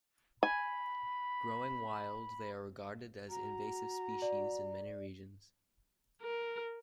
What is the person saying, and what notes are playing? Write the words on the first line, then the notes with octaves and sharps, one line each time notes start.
Growing wild, they are regarded as invasive species in many regions.
G#5 B5
F#4 A#5
D5
A#4